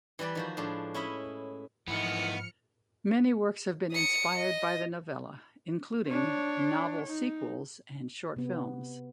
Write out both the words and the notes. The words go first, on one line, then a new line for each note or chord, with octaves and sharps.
Many works have been inspired by the novella, including novel sequels and short films.
E3 G3 B4 D5
D#3 F3 F#4
A2 F3 G#3 D4
C#4 E4 D#5 B5
G#2 E3 F3 A3 B3 D#4 F6 C#7
D#6 C#7
D#5
D4 C#5
D#4
C3 B3